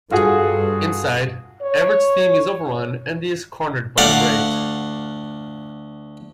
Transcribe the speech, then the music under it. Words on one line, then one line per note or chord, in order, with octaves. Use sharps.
Inside, Everett's team is overrun and he is cornered by a Wraith.
G2 F4 F#4 G#4 A4
C#5
D2 D5 F5 F#5